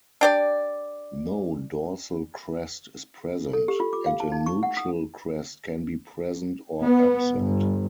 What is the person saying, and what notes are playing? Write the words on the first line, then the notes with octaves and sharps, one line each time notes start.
No dorsal crest is present; and a nuchal crest can be present or absent.
D4 G4 D5
A4
G4
F4
D6
F5
A5
D#4
C#6
F#5
D#6
B3
G1